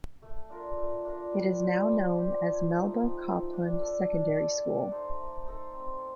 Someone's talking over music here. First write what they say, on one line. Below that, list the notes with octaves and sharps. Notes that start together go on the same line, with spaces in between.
It is now known as Melba Copland Secondary School.
A3
D4 F4 A#4
A3
D4 F4 A#4
G3
D4 G4 C5
G3
D4 G4 C5
F3
A3 D#4
F3
A3 D#4
D4
A4 D5
D4
A4 D5
A3
D#4 A4 C5
A3
D#4 A4 C5
C4